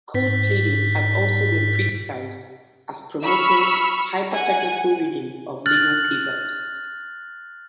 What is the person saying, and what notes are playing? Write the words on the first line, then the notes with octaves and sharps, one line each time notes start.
Code pleading has also been criticized as promoting "hypertechnical reading of legal papers".
G#2 B6
B5 C#6 E6 F6
F#5 G#5
F6 F#6 A6 F#7